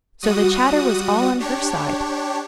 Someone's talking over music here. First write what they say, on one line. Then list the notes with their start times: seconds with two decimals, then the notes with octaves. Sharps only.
So the chatter was all on her side.
0.22 G3 F#4 D#6
1.40 D4 G4 C#5